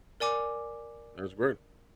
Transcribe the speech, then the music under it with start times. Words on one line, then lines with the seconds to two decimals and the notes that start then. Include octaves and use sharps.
that's great.
0.20 A#4 D5 G#5 D6